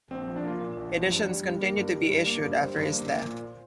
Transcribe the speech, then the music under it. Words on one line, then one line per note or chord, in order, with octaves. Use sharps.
Editions continued to be issued after his death.
A#1 C4
F3 C4
D4
A#3 F4
A#2
A#1
F3
G2
G3
G2
A#3 A#4
G2
G3
G2
A#3
G2
G3 C5
G2
A#3
A#3
A#2